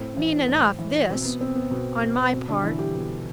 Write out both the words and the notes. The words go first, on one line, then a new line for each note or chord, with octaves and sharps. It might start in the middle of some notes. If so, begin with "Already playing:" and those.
Mean enough this, on my part.
Already playing: A2 C4
E3
A2
E3
B2 C4
B3
C4
B3
B2 B3
B2 C4
D3 D4
E3 E4
G3 G4
B2 B3